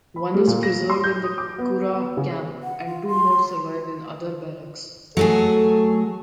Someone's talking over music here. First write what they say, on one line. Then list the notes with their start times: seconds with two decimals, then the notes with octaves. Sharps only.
One is preserved in the Curragh Camp and two more survive in other barracks.
0.16 B5
0.34 G3
0.47 A#2
0.63 A#6
0.90 C6
1.04 G6
1.23 D#6
1.38 D6
1.58 B3
1.93 B3
2.17 C#3
2.63 F#5
2.86 F4
3.08 C6
5.17 F#3 A3 G#4 A4